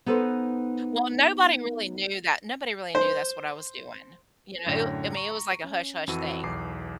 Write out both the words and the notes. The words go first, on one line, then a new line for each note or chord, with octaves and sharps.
Well, nobody really knew that. Nobody really knew that's what I was doing. You know, it w I mean, it was like a hush-hush thing.
B3 D#4 A4 B4 C5
C5
F#2 A2 D3 C#5 G5 A#6
A#5 C#6
C#4
F2 E3 F3 F#4 E6 D#7
B1 E2 D6 C7